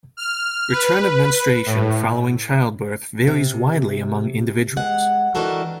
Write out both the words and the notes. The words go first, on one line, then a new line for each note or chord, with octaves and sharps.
Return of menstruation following childbirth varies widely among individuals.
F6
B4
A2
C3
G#3 F#5
D#3 E3 D4 F#4 A4 A#4